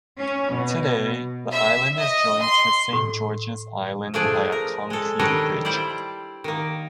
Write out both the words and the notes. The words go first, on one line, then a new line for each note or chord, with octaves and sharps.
Today, the island is joined to Saint George's Island by a concrete bridge.
C#4
B2
E5
D#5
C6
A2
F3 A3 D4 G#4 D5
A#4
G#3 A4
D#3 G3 D4 A4 C#5 D#5
G3 E4 C5 D5
D#3 A#3